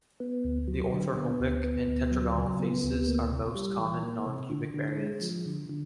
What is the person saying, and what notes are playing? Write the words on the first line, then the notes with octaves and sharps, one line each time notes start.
The orthorhombic and tetragonal phases are most common non-cubic variants.
B3
D2
F#3
D3
B3
D2
B3
D2
F#3
C#3
B3
D2
A#3
C3
G3
E3
A#3
C3
D3
D3
G#3
F3
D3
D3